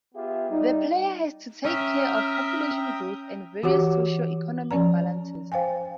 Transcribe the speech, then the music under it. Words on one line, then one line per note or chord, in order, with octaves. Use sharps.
The player has to take care of population growth and various socio-economic balances.
B3 F4 G4 G#4 E5
G3 D#4
C#4 E5 G5 A#5 D#6 F6
E3 F#4 G4 C#5 F#5 D6
F3 C#4 D5 A#5
C5 F5 G5 G#5